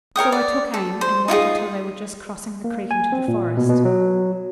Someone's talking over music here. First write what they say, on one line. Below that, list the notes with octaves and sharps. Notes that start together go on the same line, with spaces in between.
So I took aim and waited till they were just crossing the creek into the forest.
A#4 C#5 G5 D#6
D5
A4
C5
D#4 F4 G4 G#4
A#3
G#5
C4
A#2
B2
B2
F#3